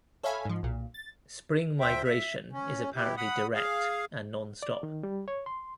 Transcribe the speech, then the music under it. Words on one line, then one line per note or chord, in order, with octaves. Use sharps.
Spring migration is apparently direct and non-stop.
A4 C#5 E5 F5 G#5 B5
G#2 F3
B1 A#2
A6
D2 C5 E5 G5
E5
C#4
B2 E4 G4
F#5 B5 D#6
G#4 F5
D5
D#3
G3
C#5
C6